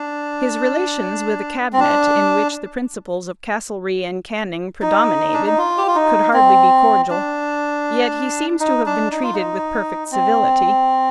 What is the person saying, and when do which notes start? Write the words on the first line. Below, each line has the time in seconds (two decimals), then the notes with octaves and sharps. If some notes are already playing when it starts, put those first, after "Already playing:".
His relations with a cabinet in which the principles of Castlereagh and Canning predominated could hardly be cordial, yet he seems to have been treated with perfect civility.
Already playing: D4
1.73 C4
1.80 D4
4.82 D#4
5.33 D4
5.47 D#4
5.58 F4
5.78 G4
5.87 F4
5.95 D#4
6.33 C4
7.10 D4
8.60 D#4
8.86 D4
9.12 D#4
9.23 F4
9.34 D#4
10.12 C4